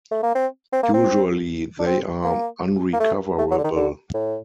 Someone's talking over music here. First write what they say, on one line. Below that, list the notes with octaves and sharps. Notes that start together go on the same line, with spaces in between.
Usually they are unrecoverable.
A3
A#3
C4
C4
A#3
C4
D4
C4
A#3
A#3
A3
A3
F#3
D3
D#3
D3
A2